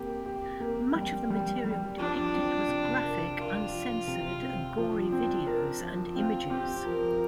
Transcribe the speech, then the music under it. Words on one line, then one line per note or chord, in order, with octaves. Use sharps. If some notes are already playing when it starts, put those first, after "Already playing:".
Much of the material depicted was graphic, uncensored, gory videos and images.
Already playing: A#3 C4 G4
G4
A#3
G3
G3
G3
F3 D4
C4
C3
A#4
F4 A#4
F3
C3
C4
F3 D4
C4
A#4
F3
C4 F4
C4 G4
F3 A#4